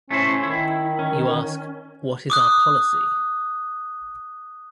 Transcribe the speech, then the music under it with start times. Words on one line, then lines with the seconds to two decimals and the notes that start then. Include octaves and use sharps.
You ask, what is our policy?
0.11 A3 C#4 E4 C5
0.43 D#3 E4
0.99 C#4
2.30 D6 D#6 F#6